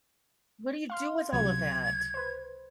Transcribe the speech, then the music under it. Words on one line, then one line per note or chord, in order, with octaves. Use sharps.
What do you do with all of that?
F5 C6 F6
C#2 C3 F#3 G#6
B4 C5